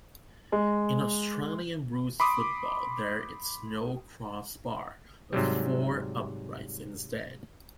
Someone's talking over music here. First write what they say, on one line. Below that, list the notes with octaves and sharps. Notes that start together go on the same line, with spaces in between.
In Australian rules football, there is no crossbar but four uprights instead.
G#3
B5 C6 D6 D#6
G#2 C3 F#3 G3